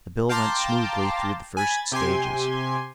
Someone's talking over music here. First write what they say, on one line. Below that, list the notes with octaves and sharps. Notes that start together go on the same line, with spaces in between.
The bill went smoothly through the first stages.
F5 G5 A5 A#5 C6 D6
G#5 B5 G#6 A6
C3 G4 G#5 C6